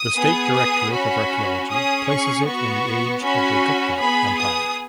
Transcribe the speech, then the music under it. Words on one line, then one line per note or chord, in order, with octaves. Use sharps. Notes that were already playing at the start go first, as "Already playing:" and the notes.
The State Directorate of Archaeology places it in the age of the Gupta Empire.
Already playing: D#6
B3 G#4
D#6
C#4 F#4 B5
C#4 G#4 D#6
C#6
B3 F#4 C#6
C#4 F#4 B5
B3 G#4 B5
D#6